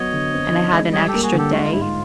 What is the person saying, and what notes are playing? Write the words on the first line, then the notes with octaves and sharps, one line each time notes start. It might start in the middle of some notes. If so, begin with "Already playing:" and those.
and I had an extra day.
Already playing: F#3 B3 C#5 D#5
D3
C4
D#4
G#3
G3 C#5 D#5
G4 A4
A#3
F#4 G#4
D3
G4 A4
G#3 F#4
F4
G#2 E4
F4